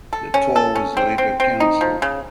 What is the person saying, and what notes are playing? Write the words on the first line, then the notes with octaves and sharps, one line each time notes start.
The tour was later cancelled.
A4
C#4
A4
C#4
C4
C4
C4
D#4
F3
C#3